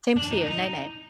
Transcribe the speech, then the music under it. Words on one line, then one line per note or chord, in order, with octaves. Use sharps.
Same to you, night night.
D4
D#4
D#4